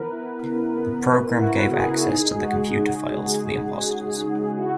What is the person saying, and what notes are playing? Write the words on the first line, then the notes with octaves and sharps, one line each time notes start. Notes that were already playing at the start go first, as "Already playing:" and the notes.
The program gave access to the computer files for the impostors.
Already playing: E3 B3 A#4 B4
E4
C#3
B3
E3
E4 F#4
C#3 G#4
D#4 G#4
G#3 F#4
C#3 F#4
C#3
D#4
G#3
C#3
C#3
E4 F#4